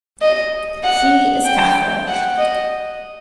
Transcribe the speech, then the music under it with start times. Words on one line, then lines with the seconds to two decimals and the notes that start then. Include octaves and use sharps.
She is Catholic.
0.21 D#5
0.83 F#5
1.45 G5
2.07 F#5
2.38 D#5